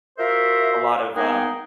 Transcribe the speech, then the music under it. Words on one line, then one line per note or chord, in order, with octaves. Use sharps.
a lot of uh,
F4 F#4 A#4 C5 E5
A#3 B3 D#4 G#4 F#5 G5